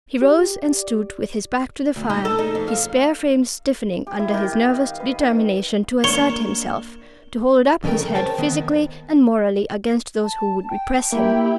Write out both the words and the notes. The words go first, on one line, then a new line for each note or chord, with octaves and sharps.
He rose and stood with his back to the fire, his spare frame stiffening under his nervous determination to assert himself--to hold up his head physically and morally against those who would repress him.
G4
D5
D2
D#4
A4
D#4
F2
F5
G4
E4
D#3
D#5
F5
B4
D#3
A#3 D4 C#5 E7 G7
F2 C#3 A3 A#4 G5
A#4
A#4 C5 C#5 G5 A5
D#3 B3
A5
G5
A#3 E4 G4